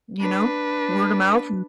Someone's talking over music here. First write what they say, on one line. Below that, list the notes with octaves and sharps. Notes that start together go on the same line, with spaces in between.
you know, word-of-mouth.
D4 B4